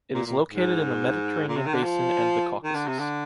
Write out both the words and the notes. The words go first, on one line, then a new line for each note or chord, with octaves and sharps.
It is located in the Mediterranean Basin and the Caucasus.
A#2
A#2
G#2
A#2
C3
D#3
D3
F3
D#3
D3
C3
D3